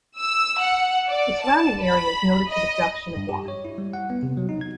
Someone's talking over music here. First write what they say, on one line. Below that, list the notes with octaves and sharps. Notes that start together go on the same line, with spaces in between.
The surrounding area is noted for the production of wine.
E6
F#5
D5
A5
B5
D#5
G2
G4
C#5
E4
G3
F#5
B3
C3
F#3
D#4
G#6